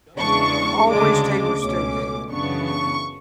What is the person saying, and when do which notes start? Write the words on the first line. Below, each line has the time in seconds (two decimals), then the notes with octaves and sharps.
Paul wished he were stupid.
0.18 E2 C#3 G#3 D4 C#6
0.89 D2 C#3 G#3 D4 D6
1.24 D6
1.59 C#2 B2 A3 C#4
2.29 F#2 C#3 E3 B3 D4 C#6
2.65 C#6